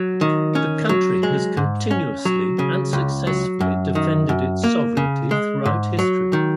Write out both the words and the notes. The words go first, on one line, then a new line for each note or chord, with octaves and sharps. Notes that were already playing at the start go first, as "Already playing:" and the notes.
The country has continuously and successfully defended its sovereignty throughout history.
Already playing: F#3
D#3
C#4
F#3
G#3
G#2
C#4
F#3
C#3
C#2
F#3
F#2
D#3
F#2
A#3
C#3
G#3
G#2
F#3
D#3